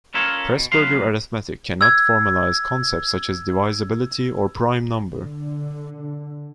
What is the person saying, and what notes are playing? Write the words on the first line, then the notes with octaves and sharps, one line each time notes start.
Presburger arithmetic cannot formalize concepts such as divisibility or prime number.
C#4 E4 F4 A4 A#4 C#5
B2
E2 A#2 F#3 B4 F5 C6
E6 G#6
D3